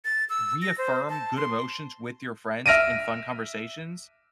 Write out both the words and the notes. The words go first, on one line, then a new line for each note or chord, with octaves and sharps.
reaffirm good emotions with your friends in fun conversations,
A6
E6
A#6
C5
A5
C6
E5 F6 A#6 D7 D#7